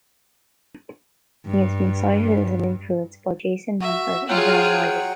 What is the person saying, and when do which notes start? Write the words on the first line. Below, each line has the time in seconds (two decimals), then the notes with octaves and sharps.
He has been cited as an influence by Jason Manford and John Lydon.
1.44 G2
3.81 F#4 E5
4.29 F#3 F4 G#4 F#5 G5